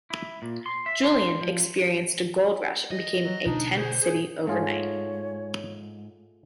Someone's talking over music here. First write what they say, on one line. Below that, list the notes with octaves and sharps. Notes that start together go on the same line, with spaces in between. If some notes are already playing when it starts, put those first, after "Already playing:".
Julian experienced a gold rush and became a tent city overnight.
E4
A#2
C6
E5
C6
F3
D#5
F#3
B2 D3 A3 D4 D#4
G#4 C5 C#5
G#4
G#2 A3 F4 G#4 C#5